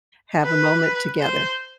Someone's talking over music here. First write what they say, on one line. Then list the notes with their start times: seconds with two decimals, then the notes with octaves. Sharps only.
have a moment together.
0.44 B4
1.21 C5